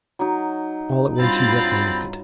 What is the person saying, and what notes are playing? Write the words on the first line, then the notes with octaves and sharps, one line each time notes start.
All at once he recollected.
F#3 D#4
G2 C4 F4 B5 A6